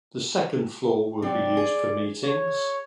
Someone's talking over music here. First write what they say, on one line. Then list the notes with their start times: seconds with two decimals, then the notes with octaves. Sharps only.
The second floor will be used for meetings.
1.22 C3 F#3 C4 D5
1.57 G#4
2.24 C#5